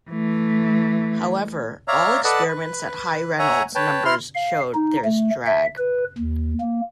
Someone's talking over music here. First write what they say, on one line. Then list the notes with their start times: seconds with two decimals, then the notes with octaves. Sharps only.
However, all experiments at high Reynolds numbers showed there is drag.
0.10 E3 A3
1.88 C#5 D5 E5 F5 A#5
2.24 A4 B4 D5 D#5 F#5 A5
2.48 B4
3.39 C#5 E5 F#5 G#5 A#5
3.75 B4 C#5 G5 A5
4.05 E4 C6 F6
4.35 F5
4.74 D#4
5.05 A3
5.46 E5
5.77 B4
6.18 D#2
6.60 A#3